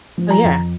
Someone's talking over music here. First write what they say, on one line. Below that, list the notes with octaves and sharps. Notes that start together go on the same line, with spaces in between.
Oh yeah.
F3
A#5
F2